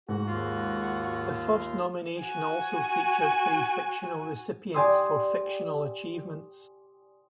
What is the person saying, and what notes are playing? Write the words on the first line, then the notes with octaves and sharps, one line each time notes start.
The first nomination also featured three fictional recipients for fictional achievements.
G#2 F#4
D#2 F4
F#4 G#5
G4 D5 G#5 C6 D#6